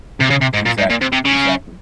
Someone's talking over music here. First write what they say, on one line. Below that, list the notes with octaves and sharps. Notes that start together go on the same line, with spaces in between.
Exactly, exactly.
C3
C#3
C3
G#2
A#2
G#2
A#2
C3
C3
C#3